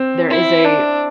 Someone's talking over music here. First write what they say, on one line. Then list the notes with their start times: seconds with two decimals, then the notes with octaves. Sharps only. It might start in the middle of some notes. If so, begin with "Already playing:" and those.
There is a
Already playing: C4
0.30 E4
0.65 D4